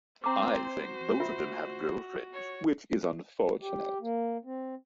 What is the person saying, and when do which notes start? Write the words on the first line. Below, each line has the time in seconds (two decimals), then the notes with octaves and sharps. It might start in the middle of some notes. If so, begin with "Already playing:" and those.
I think both of them have girlfriends, which is unfortunate.
0.24 C4 C5 A#5 D6
0.80 F#4
1.20 F4 E5
2.34 C#5
3.62 G4
4.01 A#3
4.45 C4